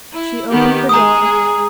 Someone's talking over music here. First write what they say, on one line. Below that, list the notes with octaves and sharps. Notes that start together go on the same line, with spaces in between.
She opened the door.
E4
D#3 B3 G4
G#3 G#4 A#5 D#6